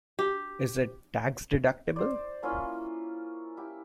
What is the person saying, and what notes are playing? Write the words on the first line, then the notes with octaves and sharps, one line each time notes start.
Is it tax-deductible?
G4
C5 D5
A#3 C#4 E4 F4
E4 G4